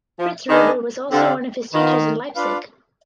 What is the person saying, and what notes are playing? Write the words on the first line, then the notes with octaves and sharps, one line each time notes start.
Fritz Reuter was also one of his teachers in Leipzig.
F3
D#3 D4 G#4 B4 D#5
D3 C4 G4 D5 F5
D#3 B3 F4 B4
D4 F4 B4 F5